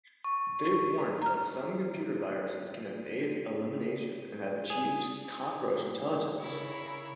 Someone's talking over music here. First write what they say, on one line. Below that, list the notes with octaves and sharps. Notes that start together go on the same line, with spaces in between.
They warned that some computer viruses can evade elimination and have achieved cockroach intelligence.
C#6
A#5 F6
G#4
C#3 E4 A#4 C#5